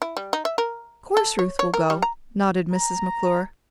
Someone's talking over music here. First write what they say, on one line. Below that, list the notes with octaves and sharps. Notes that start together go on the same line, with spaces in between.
"Of course Ruth will go," nodded Mrs. McClure.
E4
G3
D#4
E5
A#4
A4
C#5
C#5
A#4
G3
A#5
A#5